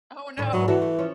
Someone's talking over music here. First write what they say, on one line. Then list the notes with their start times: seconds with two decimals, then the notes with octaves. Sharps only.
Oh, no!
0.37 D#2 A2 D4
0.53 G#2 F#3 E4
0.68 E3 F#4 A4
0.82 A3
0.98 F3 C#4